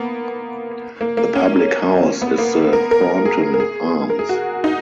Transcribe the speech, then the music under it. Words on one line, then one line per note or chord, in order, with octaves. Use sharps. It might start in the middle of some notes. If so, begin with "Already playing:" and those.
The public house is the Thornton Arms.
Already playing: A#3 B3
A#3
A#3
C#4
B3
A#3
A#4
A#4
G#4
A#4
G#4
A#4
G#4
F#4
D#4